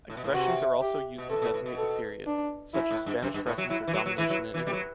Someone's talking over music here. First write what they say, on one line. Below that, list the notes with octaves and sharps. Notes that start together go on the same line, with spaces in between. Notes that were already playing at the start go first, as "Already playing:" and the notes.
Expressions are also used to designate the period, such as Spanish presence or domination in Italy.
A2
B2
A2
C3 F#4
G4
B2
C3 A4
A2
B2
A2
B2
A4
D4
F#2 E4
A2
G2
F#2
G2
A2
F#3
F#3 E4
E3
F#3
F#3
E3 E4
F#3
E3
G3
F#3